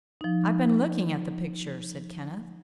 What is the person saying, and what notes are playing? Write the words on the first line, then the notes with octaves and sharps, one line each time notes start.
"I've been looking at the picture," said Kenneth.
F3 D#4